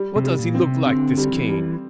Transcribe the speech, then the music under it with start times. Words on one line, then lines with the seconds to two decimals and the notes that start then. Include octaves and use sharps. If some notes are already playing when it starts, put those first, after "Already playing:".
"What does he look like, this Kane?"
Already playing: G3
0.16 C3
0.24 G3
0.39 A#2
0.54 C4
0.63 C3
0.86 D3 C4
1.17 G3
1.32 E3
1.49 G3